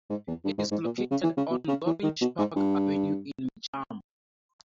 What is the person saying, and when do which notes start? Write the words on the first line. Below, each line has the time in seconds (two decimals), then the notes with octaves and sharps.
It is located on Gorringe Park Avenue in Mitcham.
0.10 G#2
0.28 E2
0.45 G2
0.58 G#2
0.71 G#2
0.84 A#2
0.97 B2
1.11 C#3
1.24 E3
1.37 C#3
1.50 B2
1.68 C#3
1.86 E3
2.03 D#3
2.21 B2
2.39 G#2
2.56 G2